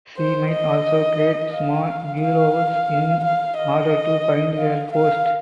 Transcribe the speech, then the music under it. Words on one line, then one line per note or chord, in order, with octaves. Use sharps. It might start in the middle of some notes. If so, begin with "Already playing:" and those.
She might also create small burrows in order to find her host.
C5
D#5
F5
F5
F5
D#5
F5
F5